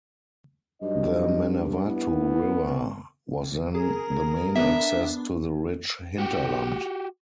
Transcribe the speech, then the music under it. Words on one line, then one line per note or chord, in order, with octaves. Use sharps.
The Manawatu River was then the main access to the rich hinterland.
G2 F#3 D#4 D#5
B3 E4
G#4 A#4 A#5
B3 D4 E5
F#4 G4